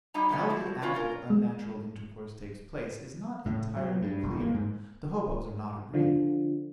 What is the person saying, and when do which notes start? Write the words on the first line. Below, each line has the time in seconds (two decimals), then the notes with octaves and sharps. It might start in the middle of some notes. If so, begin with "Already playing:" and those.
How the act of unnatural intercourse takes place is not entirely clear; the hoboes are not agreed.
0.14 F#3 G3 D#4 E4 A#5
0.29 D3 F#3 G3 A3 B3 C#4
0.50 F3 E4 F#4
0.82 C#4 F4 B4 D5
0.94 C#4 F4 A#4
1.30 G#3
3.46 A2
3.76 F#3
4.02 G2
4.23 E1
4.40 A#3
4.54 G#2
5.94 D3 F3